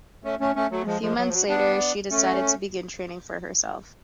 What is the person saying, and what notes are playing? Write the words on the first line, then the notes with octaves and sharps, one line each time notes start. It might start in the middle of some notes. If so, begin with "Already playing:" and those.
A few months later, she decided to begin training for herself.
A3 C#4
A3 C#4
A3 C#4
F#3 A3
F3 G#3
F3 G#3
F#3
F3
F#3
B3 D4
A3 C#4